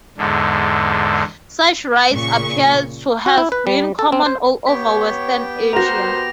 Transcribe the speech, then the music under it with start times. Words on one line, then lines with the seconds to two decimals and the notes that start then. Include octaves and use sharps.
Such rites appear to have been common all over Western Asia.
0.18 E2 G#2 D3
2.11 A#2 C#3 C#6
3.26 F#4
3.38 E4
3.52 B4
3.67 G3
3.99 A4
4.12 C4
4.26 C5
4.67 B3 G4 C#5 G5 B6
5.73 F#4 A#4 C5 A#6 F7